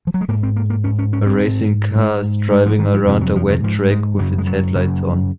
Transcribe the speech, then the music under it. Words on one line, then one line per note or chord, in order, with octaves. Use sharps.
A racing car is driving around a wet track with its headlights on.
F3
F#3
G#3
G#2 A#3
C4
A#3
A#3
G#2 C#4
C#4
C#4
C4
G#2
G#2
G#2 G#3
F3
D#3
F3
F2 C3 F3
F#3
F3
D#3
G#2 F3
G#3
F#2 C#3 F#3
G#3
F#3
F#2 C#3